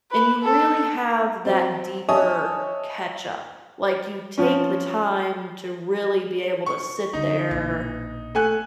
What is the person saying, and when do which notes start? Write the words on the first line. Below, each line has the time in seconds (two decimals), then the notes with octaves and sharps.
and you really have that deeper catch-up, like you take the time to really be able to sit there
0.12 B4
0.43 A4
1.45 F#3 C4
2.09 C#5 D#5 E5 G#5 A5 D#6
4.38 F3 C#4
6.66 C#6
7.13 D3 B3 D#4
7.51 A#1 B2
8.35 A3 G#5 F#6